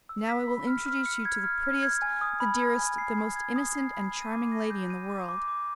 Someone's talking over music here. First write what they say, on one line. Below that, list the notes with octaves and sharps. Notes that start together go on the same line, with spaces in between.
Now I will introduce you to the prettiest, the dearest, the most innocent and charming lady in the world.
E6
B6
B5
F6
F6
C#7
G#6
F6
F6
G#6
G#5
D#6
B5
G#6
G#5
C7
B5
G#6
D#6
C7
B5
D#7
D6
A#6
G6
D#7
D6
D6
D6